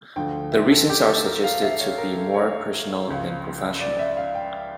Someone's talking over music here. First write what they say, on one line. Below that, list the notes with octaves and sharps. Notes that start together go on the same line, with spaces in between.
The reasons are suggested to be more personal than professional.
D2 D3 F3 A3 G5
E5
A4
G4
A4
A#4
F5
E5
C#5
A#4
A4
C#5
C#2 C#3 F3
D5
E5
F5
G5